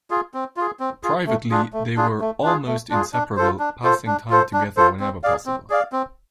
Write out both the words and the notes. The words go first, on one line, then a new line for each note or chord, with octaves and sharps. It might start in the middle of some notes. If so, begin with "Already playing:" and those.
Privately, they were "almost inseparable", passing time together whenever possible.
F4 G#4
C4
F4 G#4
C4
F4 G#4
A3
D4 F4 G#4
A3
D4 F4 G#4
A3
D4 F4 G#4
A3
D4 F4 G#4
D4
F4 A4 C5
D4
F4 A4 C5
D4
F4 A4 C5
D4
F4 A4 C5
C4
G#4 D5 F5
C4
G#4 D5 F5
C4